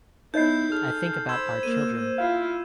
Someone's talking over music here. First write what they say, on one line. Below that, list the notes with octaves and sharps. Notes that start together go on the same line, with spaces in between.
I think about our children.
B3 D#4 E4 C#5 D#5 G6 C7
G#4 A4 F6
C5 B5 E6 G#6 E7
A#3 D#7
E4 F4 F5